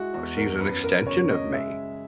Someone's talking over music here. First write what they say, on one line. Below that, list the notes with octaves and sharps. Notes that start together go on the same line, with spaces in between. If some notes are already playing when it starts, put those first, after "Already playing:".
she's an extension of me.
Already playing: G#3 E4 F#4
E2 F#4
A#4
F#2 B4
A#4
C#3 C#5
D#5
G#3 E5